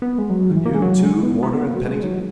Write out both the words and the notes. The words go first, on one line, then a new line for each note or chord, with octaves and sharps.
"And you, too, Warner and Pennington?"
B3
G#3
F#3
D#3
E3
A#3
G#3
F#3
G#3
B3
B3
A#3
F#3
G#3
F#3